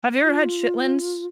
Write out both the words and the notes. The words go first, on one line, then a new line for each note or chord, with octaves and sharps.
Have you ever had chitlins?
F4